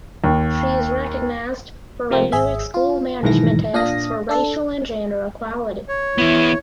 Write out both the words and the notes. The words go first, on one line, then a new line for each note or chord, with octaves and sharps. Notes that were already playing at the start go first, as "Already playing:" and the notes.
She is recognized for reviewing school management tasks for racial and gender equality.
D#2
C3 F3 A#3 C4
G#1 G#4 E5
F4
B1 G#2 D#3 E3 A#6
A#2 D4 F5 D#6 A#6
D4 A4
C#5
E3 B3 E4